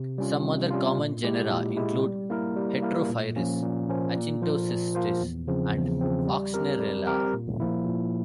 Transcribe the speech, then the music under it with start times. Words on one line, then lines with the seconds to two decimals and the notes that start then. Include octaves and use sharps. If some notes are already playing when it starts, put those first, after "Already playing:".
Some other common genera include "Heterophrys", "Actinocystis", and "Oxnerella".
Already playing: C3
0.18 G3 C#4 F4
0.44 C3
0.71 G3 C#4 F4
0.98 A#2
1.24 G#3 E4 G4
1.50 A#2
1.77 G#3 E4 G4
2.03 G3
2.30 A#3 E4 A#4
2.56 G3
2.82 A#3 E4 A#4
3.09 A#2
3.36 F3 A#3 C#4
3.62 A#2
3.89 F3 A#3 C#4
4.15 A#2
4.42 F3 A#3 F4 C5
4.68 A#2
4.95 F3 A#3 F4 C5
5.21 E2
5.48 C#3 F3 C4
5.75 E2
6.01 C#3 F3 C4
6.28 G3
6.54 C4 G4 A#4
6.80 G3
7.07 C4 G4 A#4
7.34 A#2
7.60 F3 A#3 E4
7.86 A#2